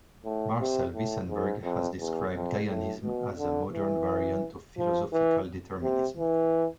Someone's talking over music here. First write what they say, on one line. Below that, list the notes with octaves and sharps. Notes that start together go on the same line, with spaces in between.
Marcel Wissenburg has described Gaianism as a "modern variant of philosophical determinism".
A2
C3
A2
G#2
F2
E2
F2
A2
B2
D3
E3
F3
E3
C3
E3